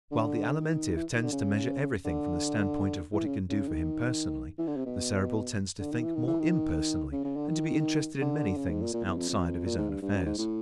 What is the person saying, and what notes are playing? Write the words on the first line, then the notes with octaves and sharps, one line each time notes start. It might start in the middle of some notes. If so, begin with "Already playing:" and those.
While the Alimentive tends to measure everything from the standpoint of what it can do for him personally, the Cerebral tends to think more impersonally and to be interested in many things outside of his own affairs.
D3
D#3
E3
D#3
D3
C#3
D3
E3
C#3
C#3
D#3
E3
D3
C3
B2
D3
D#3
E3
D#3
E3
D#3
C#3
C#3
D3
D#3
D3
C#3
G#2
A#2
A#2
E2
F2
F2
A#2
G#2
G2
G2
F#2
G#2
A2